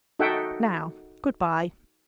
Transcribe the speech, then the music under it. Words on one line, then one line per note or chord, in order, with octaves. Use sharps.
Now good-bye.
D#4 F#4 A4 E5 F#5 G5